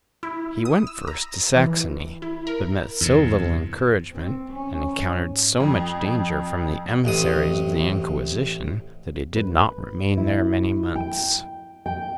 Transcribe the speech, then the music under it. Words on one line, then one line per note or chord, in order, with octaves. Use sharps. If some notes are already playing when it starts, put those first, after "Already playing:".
He went first to Saxony; but met so little encouragement, and encountered so much danger from the emissaries of the Inquisition, that he did not remain there many months.
E4
D#6
E6
A#5
E3
E4
A#4
E2 G2 C3
C4
C#4
G#2
F2
A1 C3 D#6
B4
E4
G5
G5